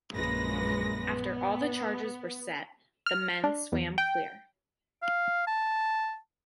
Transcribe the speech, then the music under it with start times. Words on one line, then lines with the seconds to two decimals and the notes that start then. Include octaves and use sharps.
After all the charges were set, the men swam clear.
0.13 A#1 F#2 G#3 A#3 B4 A#6
1.04 B3
3.06 F6
3.44 D4
3.72 E2
3.98 G5
5.02 F5
5.47 A5